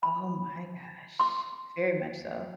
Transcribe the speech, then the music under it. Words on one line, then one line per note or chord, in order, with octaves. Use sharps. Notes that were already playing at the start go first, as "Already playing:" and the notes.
Oh my gosh, very much so.
B5
C6 D6